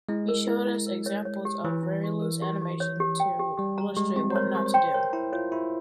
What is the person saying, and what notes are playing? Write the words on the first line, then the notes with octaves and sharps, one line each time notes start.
He showed us examples of very loose animation to illustrate what not to do.
G#3 E4
A#4
E4
E4
A#4
C#5
C#5
G4
E3 C#5
E4
G4
A#4
G4
G4
C#5
G4
G5
G4
G3 G4
A#5
G#3 G4
C4 G4
C5
A#4 C#5
G4 C5
C#5
C5 G5
A#4 C#5
E4 A#5
F4 C#5
E4 G4